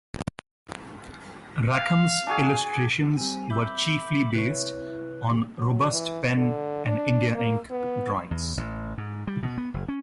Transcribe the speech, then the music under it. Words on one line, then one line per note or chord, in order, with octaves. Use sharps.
Rackham's illustrations were chiefly based on robust pen and India ink drawings.
F5
D4 F#4 G#4 G#5
G3 C4 G#5
E5 B5 D6 E6 G6
C3 E4 B4 C#5
F#3
E3
D3
D4
A#3
B3
E2
A1
G#2
G3
B2
B3
F#1
C#4